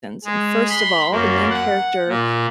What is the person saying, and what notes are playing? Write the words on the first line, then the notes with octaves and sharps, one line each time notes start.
And first of all, the main character,
G#3
B5 C6
F#2 A#3
F#5
A#2